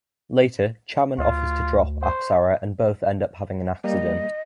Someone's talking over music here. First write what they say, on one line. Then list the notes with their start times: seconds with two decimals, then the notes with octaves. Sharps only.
Later Chaman offers to drop Apsara and both end up having an accident.
1.18 D2 F4
2.02 C5
3.84 G3 A#3 D#5